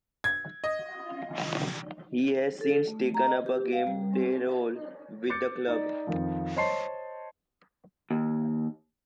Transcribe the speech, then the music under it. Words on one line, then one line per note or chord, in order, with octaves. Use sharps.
He has since taken up a game day role with the club.
G#6
D#5
A4
A3
A#5
D#5
G4
F5
G3
C4
D6 G6 A6 C#7
D#4 D5
F2 D#3 F3
C5 C#5 D#5 A5 C6 C7
D#2